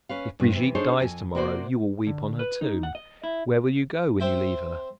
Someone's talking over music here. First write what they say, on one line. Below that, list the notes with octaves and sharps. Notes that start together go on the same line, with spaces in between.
If Brigitte dies to-morrow you will weep on her tomb; where will you go when you leave her?
C#4 B4 F5
G2 A#3
C3 E3
D4 D#4 G#4 A4 C5 C#5
F2 A4 G#5
C3 A#3 F#4 C5 D5
D3
B4
D#4
F#5
D#5
E4
C4 C5 E5 G5